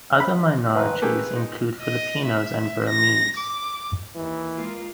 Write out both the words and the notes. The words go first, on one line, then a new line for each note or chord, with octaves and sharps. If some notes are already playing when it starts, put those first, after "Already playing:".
Other minorities include Filipinos and Burmese.
B5
F2 G#2 D#3 B4
A3 A#3 D4 G4 G#4 F#5
D#4
D#5
E5
A#6
D6
D#2 E3
G#3 A#3 F4